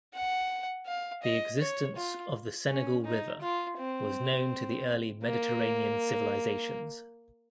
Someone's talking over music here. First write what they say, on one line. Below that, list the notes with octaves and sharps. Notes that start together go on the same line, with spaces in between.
The existence of the Senegal River was known to the early Mediterranean civilizations.
F#5
F5
D#5
C#5
F4
C#4
D#4
F4
C4
A#3